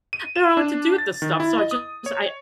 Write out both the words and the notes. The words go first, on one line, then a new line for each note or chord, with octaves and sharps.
don't know what to do with this stuff. So I just I
D#7
E7
D4
A6
D#3
E4
D#5
D#6
C#5